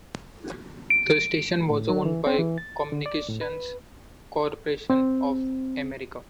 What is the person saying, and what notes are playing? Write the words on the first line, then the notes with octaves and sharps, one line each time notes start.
The station was owned by Communications Corporation of America.
D7
A2
F#3
E3
C4
E3
A6
D3
D5
A2
B4
C4